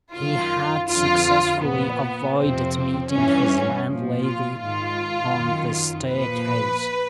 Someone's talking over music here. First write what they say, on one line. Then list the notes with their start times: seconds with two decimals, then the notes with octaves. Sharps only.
He had successfully avoided meeting his landlady on the staircase.
0.14 F#2 D#3 F4
0.89 F2 D3 F3 F4
1.62 A#2 F3 B3
2.38 F2 C3 F3 C4
3.11 G2 E3 C#4
3.86 A#2 F3
4.23 F4
4.60 G#2 D#3 F4
5.34 F#2 D#3
6.09 A#2 F3 B4